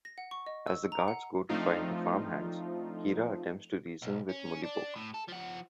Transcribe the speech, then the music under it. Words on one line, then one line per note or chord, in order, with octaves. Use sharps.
As the guards go to find the farmhands, Kira attempts to reason with Mullibok.
A#6
F#5
C#6
D#5
E6
A#5
F#5
F3 A3 C4 D4 D#4 F4
B1
C#4
D4
A2
A4
F3 F#5